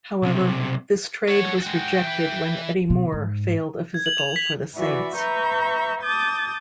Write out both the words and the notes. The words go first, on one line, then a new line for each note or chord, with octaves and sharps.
However, this trade was rejected when Eddie Moore failed a physical for the Saints.
B1 C3
A4 C#5 F#5
G#3 F#4 G5
E3 B4
B2
G#2
G#6
F#7
F7
B6
E3 E4 F#4 D5 E5
B4 E5 A#5 C#6 G6
A5 D6 D#6 G6 A6